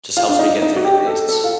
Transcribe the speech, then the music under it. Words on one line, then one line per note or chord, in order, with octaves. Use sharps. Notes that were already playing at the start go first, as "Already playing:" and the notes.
just helps me get through the days.
F4
D4
D#4
D#4
F#4
G4
A4
A4
F4